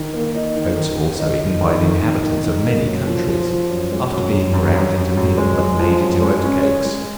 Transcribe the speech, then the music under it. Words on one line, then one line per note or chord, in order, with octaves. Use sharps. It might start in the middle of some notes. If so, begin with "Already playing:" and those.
Oats are also eaten by the inhabitants of many countries, after being ground into meal and made into oat cakes.
Already playing: D#3
A#3
D#4
D#3
D#3
D#3
D#4
D#4
D#3
D#3
D#3
D#3
D#4
A#3
F#2
F3
F3
F3
F#2
G#3
F#2
F#2
F#2
F#2
F#2
F#2
G#3
G#3
F3
F#2
G#3
C#4
C#5
G#3